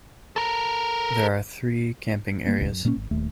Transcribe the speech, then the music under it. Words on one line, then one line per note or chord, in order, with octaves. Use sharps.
There are three camping areas.
A4 A#4
G3 A#3 C#4
E1 C#2 G#2
F#2
A#2 A#3 B3 C#4
G#1
D#1 D#2 A3